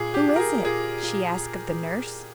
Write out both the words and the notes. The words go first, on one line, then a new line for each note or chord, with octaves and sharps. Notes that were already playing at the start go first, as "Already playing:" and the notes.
"Who is it?" she asked of the nurse.
Already playing: A#2 G#4
G4
A#2
A#4
G#4
A#2 G#4
A#2